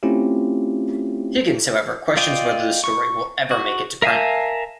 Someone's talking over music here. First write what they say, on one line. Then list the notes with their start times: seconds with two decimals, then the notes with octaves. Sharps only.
Higgins, however, questions whether the story will ever make it to print.
0.03 A3 C4 C#4 E4 F4 G4
2.17 F4 D5 D#5 G5
2.84 C#6
3.51 F#4
4.02 A#4 E5 F5 G#5 A5